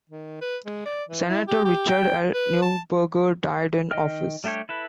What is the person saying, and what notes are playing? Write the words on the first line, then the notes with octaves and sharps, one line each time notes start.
Senator Richard L. Neuberger died in office.
D#3
B4
G#3
D5
E3
E4
G4
G4
G5
B4
A5
D#3 D#5 G5 F6
G3 A3 D4 G4 C#5
E4 A4 B4